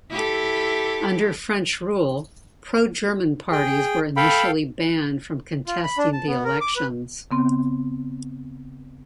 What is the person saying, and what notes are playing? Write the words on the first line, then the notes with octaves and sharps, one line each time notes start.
Under French rule, pro-German parties were initially banned from contesting the elections.
E4 G4 A4
G#4 G5
A4 F5 G5 B5
F4
B5
D4
A5
B3
A#4
D6
B4
C#3 B3 C4